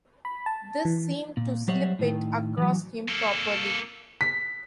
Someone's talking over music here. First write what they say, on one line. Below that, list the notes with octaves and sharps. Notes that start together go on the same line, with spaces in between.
This seemed to slip it across him properly.
B5
A5
E3
A#2
F#3 G3 C5 C#5 E5 F#5
A2 D#3
E3 F#3
A#3 A4
B6